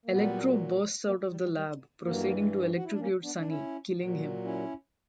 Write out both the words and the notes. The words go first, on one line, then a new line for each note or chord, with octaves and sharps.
Electro bursts out of the lab, proceeding to electrocute Sonny, killing him.
A#3
A#2 F#3 G3 B3
F#3 A#3
G3
G3
G3
G2 E3 F#3 A#3
F#4
E4
D4
A#3 C#4
B3 D4
D4
C#4 E4
A#2 F#3
C#4 E4